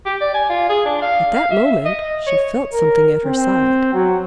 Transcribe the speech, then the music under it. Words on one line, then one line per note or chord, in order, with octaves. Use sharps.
At that moment she felt something at her side.
G4
D5
G#5
F4
G#4
D4
F5
F5
E5
D#5
C#5
A#4
C4
F#3